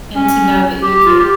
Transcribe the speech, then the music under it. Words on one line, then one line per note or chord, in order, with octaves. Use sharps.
and to know that you could
C#4
G4
F4
G4